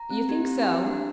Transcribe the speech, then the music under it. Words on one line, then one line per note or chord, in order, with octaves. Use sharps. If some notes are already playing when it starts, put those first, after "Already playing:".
"You think so?"
Already playing: A#5
C4
G4
C4
G4
D4